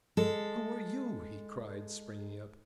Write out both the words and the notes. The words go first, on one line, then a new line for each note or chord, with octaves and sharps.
"Who are you?" he cried, springing up.
G#3 A4